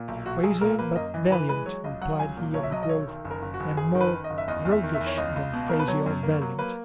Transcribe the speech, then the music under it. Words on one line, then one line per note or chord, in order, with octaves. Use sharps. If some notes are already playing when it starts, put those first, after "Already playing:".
"Crazy but valiant," replied he of the Grove, "and more roguish than crazy or valiant."
Already playing: A#2
B1
B1 F#4
B1 G#4
A#2 A#4
A#3 B4
F#2 D#5
E3 D#5
E3 B4
G#3 B4
F#3 C#5
C#2 D#5
F#3 F#5
C#2 G#5
A#2
B1 C#5
E5
F#3 D#5
D#5
B1 C#5
D#3
F#1
A#4
F#1
F#4
F#1
F#1 G#4
D#3
B4
D#3
D#5
F#1
E5
E2 D#5
E2
E5
D#3
E5
E2
C#5
C#2 D#5
C#2
B2
B2 A#4
B4
F#3 C#5
F#2
A#3
F#3
A#3 B4